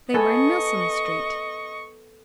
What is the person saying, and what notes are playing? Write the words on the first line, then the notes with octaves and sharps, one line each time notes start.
They were in Milsom Street.
B3 A4 D#5 G#5 C#6